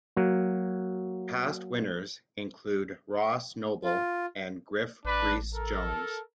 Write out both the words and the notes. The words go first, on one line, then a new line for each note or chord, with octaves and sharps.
Past winners include Ross Noble and Griff Rhys Jones.
F#3 A#3
F4
A1 D4 B4
A4 A#4